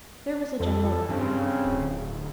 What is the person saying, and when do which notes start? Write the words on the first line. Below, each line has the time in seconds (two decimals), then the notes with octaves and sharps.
There was a general laugh.
0.60 F2 A4
1.09 G2 C#3 C4
1.65 D1